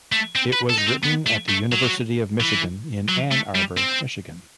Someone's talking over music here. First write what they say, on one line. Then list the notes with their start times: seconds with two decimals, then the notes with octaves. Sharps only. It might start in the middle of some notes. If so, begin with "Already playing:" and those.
It was written at the University of Michigan, in Ann Arbor, Michigan.
0.12 A3
0.35 C4
0.53 B4
0.70 A4
0.78 D#4
0.87 C4
1.03 B3
1.26 A3
1.49 A3
1.72 F#3
2.41 E3
3.09 F#3
3.31 A3
3.55 G3
3.77 C4